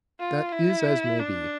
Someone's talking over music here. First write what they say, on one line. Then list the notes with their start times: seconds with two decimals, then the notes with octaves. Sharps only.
"That is as may be."
0.19 F4
0.52 E4
1.19 D4